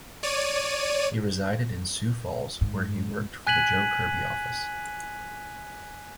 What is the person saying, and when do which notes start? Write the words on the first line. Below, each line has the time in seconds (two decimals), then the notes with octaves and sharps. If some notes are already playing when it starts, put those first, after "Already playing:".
He resided in Sioux Falls, where he worked for the Joe Kirby office.
0.23 C#5 D5 D#7
2.61 G#2
3.47 G#5 F#6 G#6 B6 D#7 F#7